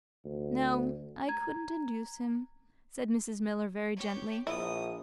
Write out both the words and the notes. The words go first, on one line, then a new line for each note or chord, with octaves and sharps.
"No; I couldn't induce him," said Mrs. Miller very gently.
D2
A#5 G#6
G4 C#5
A#1 E4 D#6